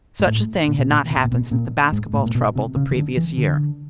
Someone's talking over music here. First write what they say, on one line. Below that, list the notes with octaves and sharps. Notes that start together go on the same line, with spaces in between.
Such a thing had not happened since the basketball trouble the previous year.
G#2
A2
A#2
B2
A#2
C3
B2
A#2
B2
A#2
G#2
A2
A#2
B2
C3
C#3
D#3
D3
E3
D3